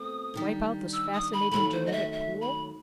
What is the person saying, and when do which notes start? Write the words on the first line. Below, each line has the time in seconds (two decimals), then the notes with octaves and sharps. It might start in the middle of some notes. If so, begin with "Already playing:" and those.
Wipe out this fascinating genetic pool?
Already playing: B2 A3 C4 D#6
0.34 G2 D#3 G3
0.93 E6
1.13 D#6
1.33 B5
1.51 D#2 D#3 F#3 A3 B5
1.72 C5
1.86 D#5
1.92 E5
2.12 E5
2.41 B5